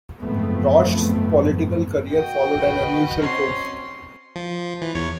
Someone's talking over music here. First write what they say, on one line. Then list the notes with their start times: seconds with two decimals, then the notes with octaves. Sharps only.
Roch's political career followed an unusual course.
0.21 F#1 G#2 F3 A3 B3 C4
2.08 F#4 D#5 G5
2.61 B4
3.19 C4 C#4 C6
4.36 F3
4.82 E3
4.95 E2 C#5